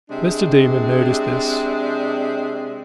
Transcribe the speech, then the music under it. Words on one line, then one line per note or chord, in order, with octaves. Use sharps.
Mr. Damon noticed this.
C3 G#3 D4